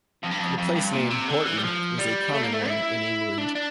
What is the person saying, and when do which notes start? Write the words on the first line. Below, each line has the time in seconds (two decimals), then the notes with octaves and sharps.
The place-name "Horton" is a common one in England.
0.23 F2
0.31 G2
0.39 F2
0.58 F2
0.75 G2
0.93 A#2
1.10 C3
1.28 D3
1.45 E3
1.57 G3
1.63 F3
1.98 G3
2.33 A3
2.43 A#3
2.53 A3
2.68 E4
3.38 D4
3.55 D4